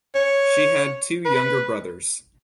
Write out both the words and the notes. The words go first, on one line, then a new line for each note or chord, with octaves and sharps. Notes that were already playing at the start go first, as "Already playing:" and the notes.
She had two younger brothers.
C#5
B4